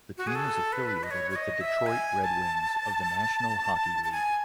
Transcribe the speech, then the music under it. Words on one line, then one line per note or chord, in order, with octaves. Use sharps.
The team was affiliated with the Detroit Red Wings of the National Hockey League.
F#4
G#4
A4
B4
D#5
C#5
C#5
D#5
E5
G#5
A5
A5
G#5